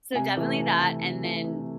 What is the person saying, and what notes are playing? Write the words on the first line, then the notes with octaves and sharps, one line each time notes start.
So, definitely that and then
C3 G#5
E3 A3
C3
E3 A3
C3
E3 A3
C3